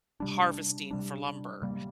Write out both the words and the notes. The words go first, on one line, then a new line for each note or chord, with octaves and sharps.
harvesting for lumber.
C3 G3 D4
C3 G3 D4
C3 G3 A#3